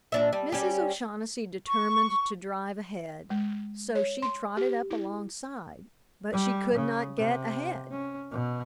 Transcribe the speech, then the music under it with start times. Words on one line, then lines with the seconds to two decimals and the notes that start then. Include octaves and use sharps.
Mrs. O'Shaughnessy determined to drive ahead; so she trotted up alongside, but she could not get ahead.
0.12 A#2 D4 E5
0.33 G3
0.52 G3 C#4 G4
1.67 C#6
3.30 G#3
3.95 C#5
4.22 C6
4.57 G4
4.90 E4
6.32 G3
6.74 C#3
7.17 C3
7.91 C#4
8.31 B2